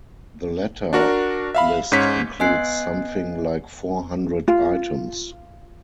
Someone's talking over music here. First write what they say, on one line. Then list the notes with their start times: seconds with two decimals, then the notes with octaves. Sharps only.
The latter list includes something like four hundred items.
0.93 D4 F#4 A#4
1.55 E5 F5 B5
1.92 G#2 C#4 C#5 B6
2.40 B3 D#5 G#5 F#6 C7
4.48 F4